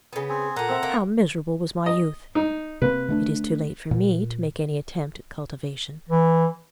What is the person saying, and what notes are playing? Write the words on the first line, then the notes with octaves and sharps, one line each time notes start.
How miserable was my youth! It is too late for me to make any attempt at cultivation.
C#3 B3
C4 G#4
A#2 A3 F#5 A#5
C4 E5
A#3
D#5
D#4
C3 A#3 C4 B4
D3 A3 D4
A#2
E3